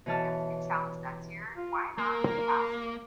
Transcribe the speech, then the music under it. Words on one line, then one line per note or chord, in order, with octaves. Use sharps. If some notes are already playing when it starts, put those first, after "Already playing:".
Each weight vector is of the same dimension as the node's input vector.
B2 E3 C#5 A5 F6
F4
A#3 A#4